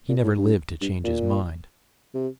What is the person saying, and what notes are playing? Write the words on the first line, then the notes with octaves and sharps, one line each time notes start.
He never lived to change his mind.
A#2
A2
G2
G2
A#2
C3